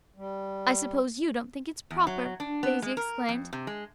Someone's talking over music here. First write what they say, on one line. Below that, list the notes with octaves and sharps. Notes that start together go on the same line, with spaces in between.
"I suppose you don't think it's proper!" Daisy exclaimed.
G3
E2
F#3
D4
B3
G#3
A#4
F2
C3
G#3